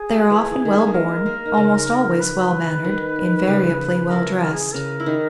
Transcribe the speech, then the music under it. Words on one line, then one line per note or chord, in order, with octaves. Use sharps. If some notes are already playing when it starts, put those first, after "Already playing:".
They are often well born, almost always well mannered, invariably well dressed.
Already playing: G#4
F#3
E3
E3
D#3
E3
A#3
G#3 A#4
A#3
D#4
C#3 C#4
B4
D#3 D#4
C#3 C#4
E3 E4 A#4
A#4
G#4
C#3 C#4 A#4
E4
D#3 D#4